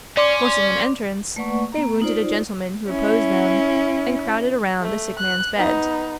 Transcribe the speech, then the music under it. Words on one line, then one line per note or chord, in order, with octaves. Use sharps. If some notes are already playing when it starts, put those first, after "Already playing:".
Forcing an entrance, they wounded a gentleman who opposed them, and crowded around the sick man's bed.
C#4 D5 C6 D6
A3 A#3 B4 D5 F#5 C#6
B3 A#5
D#4 F4 C5 D5
C#4 E4
A3
F#6
B3 D#4